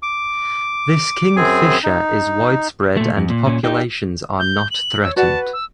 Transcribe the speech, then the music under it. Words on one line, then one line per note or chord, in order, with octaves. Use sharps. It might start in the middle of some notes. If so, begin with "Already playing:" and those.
This kingfisher is widespread and populations are not threatened.
D6
F#2 C4 G#4 G#5
D#4
A#2 A3
F2
A#2
A#2 C#4
D#4 G4
G6
F#7
C#5 E6
F#4 B4 D5 F#5 A5
E6